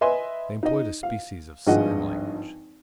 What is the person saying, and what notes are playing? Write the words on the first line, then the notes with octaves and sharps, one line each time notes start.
They employed a species of sign language.
B4 D#5 E5 G#5 C6
D#4 D#5
F5
G#1 G2 F3 G#4 D#5 F#5